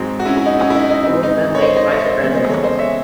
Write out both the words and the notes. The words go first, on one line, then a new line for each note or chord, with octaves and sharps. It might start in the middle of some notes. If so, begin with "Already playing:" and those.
He was then made vice president.
Already playing: G#2 F#3 C4
F#4
C#4 E4
E4
D#4
C#4
E4
D#4
D#4
G#2 F#3 C4 D#4
D#4
C#5
C5 D#5
C5 D#5
C#5 E5
C5 D#5
E2 C#3 G#3 C4 C#5 E5
C#5
C5 D#5
A4 C#5
C5 D#5
C#5 E5